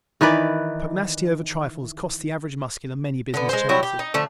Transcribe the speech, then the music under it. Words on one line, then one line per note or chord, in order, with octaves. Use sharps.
Pugnacity over trifles costs the average Muscular many business chances.
D#3 E3 B4 D5
D3 B3
G#3 C5
F#3 G3 E4 F#4
G4
D#4
D3 F3 A3